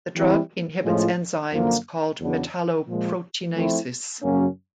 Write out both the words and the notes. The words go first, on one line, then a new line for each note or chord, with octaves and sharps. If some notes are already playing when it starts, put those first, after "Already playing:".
The drug inhibits enzymes called metalloproteinases.
E3 G3 C4 E4
A2 F3 G#3 C#4 F4
F#2 D3 F3 A#3
E2 C#3 F#3 B3 D4
A#2 F3 G#3
F3 A3 C4 E4
F#2 C#3 F#3 A#3 C#4